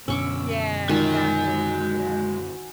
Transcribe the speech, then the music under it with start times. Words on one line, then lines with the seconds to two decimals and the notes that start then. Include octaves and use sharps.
Yeah, exactly. Yeah.
0.08 F#2 B2 D3 C#4 C#6 D6 E6
0.89 D#3 G#3 F4 F#4 G#5